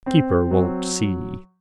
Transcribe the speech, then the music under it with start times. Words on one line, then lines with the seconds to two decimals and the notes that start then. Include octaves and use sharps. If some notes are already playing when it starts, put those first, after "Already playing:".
Keeper won't see.
0.06 C4
0.51 F#3